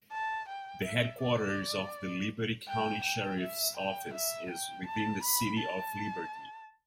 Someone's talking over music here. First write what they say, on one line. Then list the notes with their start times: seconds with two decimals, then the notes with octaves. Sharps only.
The headquarters of the Liberty County Sheriff's Office is within the city of Liberty.
0.12 A5
0.49 G5
0.85 E5
1.21 D5
2.68 G5
3.04 G5
3.41 E5
3.77 G5
4.13 E5
4.51 G5
4.87 A5
5.23 B5
5.59 A5